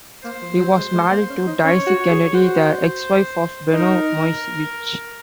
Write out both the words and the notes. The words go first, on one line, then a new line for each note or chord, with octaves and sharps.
He was married to Daisy Kennedy, the ex-wife of Benno Moiseiwitsch.
A#3 C5
F3
F#3
G#3
G#3
A#3
C#4
D#4
C#4 C#5
F#4
G#4
F#4 C5
D#4 A#4